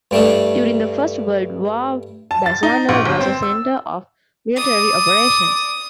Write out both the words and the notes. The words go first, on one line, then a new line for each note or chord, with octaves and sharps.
During the First World War Bassano was a centre of military operations.
G2 G3 A3 D4
A5
A6
D#4
A#1
G1
C4
E6
D5 D#6